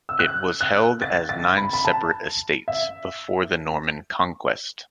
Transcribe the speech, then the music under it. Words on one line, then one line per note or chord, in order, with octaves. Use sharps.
It was held as nine separate estates before the Norman Conquest.
E6
F#6
F#6
A6
A6
B5
B5
A5
E5